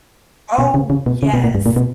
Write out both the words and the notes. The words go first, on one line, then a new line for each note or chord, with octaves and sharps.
Oh, yes.
B2
C#3
C#3
B2
C#3
B2
A#2
G2
A#2
B2